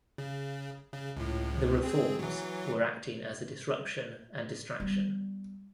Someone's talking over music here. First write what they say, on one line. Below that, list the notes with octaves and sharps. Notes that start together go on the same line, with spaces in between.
The reforms were acting as a "disruption and distraction".
C#3
C#3
C#2 A2
C4 G#4
E3 F#3
G3 B3